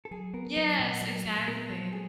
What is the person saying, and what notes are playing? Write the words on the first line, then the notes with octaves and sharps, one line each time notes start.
Yes, exactly.
A4
F#3 G#4
B3 A#4
F#3 B4
A#2
F#3
A#2
B3 A#4
F#3 A4
G#4